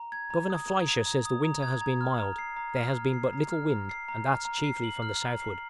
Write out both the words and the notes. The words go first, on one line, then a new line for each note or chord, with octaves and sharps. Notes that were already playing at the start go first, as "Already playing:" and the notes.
Governor Fliescher says the winter has been mild; there has been but little wind, and that chiefly from the southward.
Already playing: A#5
G#6
A#5
D#6
A#5
G#6
A#5
D#6
A#5
G#6
A#5
F6
A#5
C7
A#5
F6
A#5
C7
A#5
F6
A#5
C7
A#5
F6
A#5
C7
F#7
F6
A#5
C7